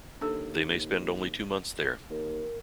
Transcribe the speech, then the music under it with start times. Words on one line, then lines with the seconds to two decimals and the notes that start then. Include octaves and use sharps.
They may spend only two months there.
0.21 D#2 D4 A4
2.10 D#2 A#4